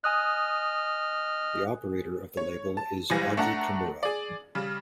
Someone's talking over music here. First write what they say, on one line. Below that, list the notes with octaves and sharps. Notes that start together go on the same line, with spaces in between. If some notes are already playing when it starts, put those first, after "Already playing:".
The operator of the label is Audrey Kimura.
D#5 G#5 D#6 F6 F#6
C#5
A5
F#1 C#2 E3 G3 G#5 A#6
A3 D4 F#5 A#5 A#6
G#4 D5
C#3 G3